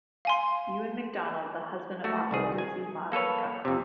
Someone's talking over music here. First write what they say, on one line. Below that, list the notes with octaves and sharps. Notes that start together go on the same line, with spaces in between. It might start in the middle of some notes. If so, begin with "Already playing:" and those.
Ewan Macdonald, the husband of author Lucy Maud Montgomery.
F5 G#5 C6
A3 F#4
C2 D#3 G#4
G#5
A#3 A4 B4 C#5
F2 C3